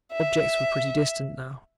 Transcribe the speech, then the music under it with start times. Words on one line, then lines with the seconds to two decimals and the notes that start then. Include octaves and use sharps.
Objects were pretty distinct now.
0.12 E5